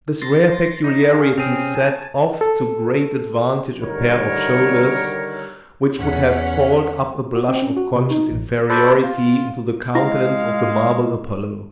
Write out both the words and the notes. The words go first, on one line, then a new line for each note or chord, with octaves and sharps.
This rare peculiarity set off to great advantage a pair of shoulders which would have called up a blush of conscious inferiority into the countenance of the marble Apollo.
C6 A6 A#6
D#4
G#4 F5
C3 C4 C#4 G#4 F6
G#5 A5
A4
D3 D#3 G3 A#4 C#5
E2 C#4 F#5 B6
F#4
C4
C#4
F#4
C3
D#4
A1
A4 B4 C5 D5
F4
G#3 E4 F5